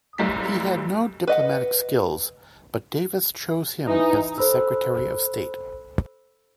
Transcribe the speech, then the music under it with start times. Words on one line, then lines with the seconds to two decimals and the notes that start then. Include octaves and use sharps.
He had no diplomatic skills but Davis chose him as the Secretary of State.
0.18 F1 B1 F#2 A2 G3 B6
1.27 B4 D#5 F#5
3.87 E3 D#4
4.38 A4 C5 B5 E6